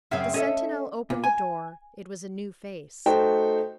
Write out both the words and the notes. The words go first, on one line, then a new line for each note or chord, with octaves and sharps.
The sentinel opened the door; it was a new face.
F#2 C#3 C4 C#4 E5 F#5
C#4 A4 D#5 E5
A#2
G#5
A3 D#4 F#4 C5 G5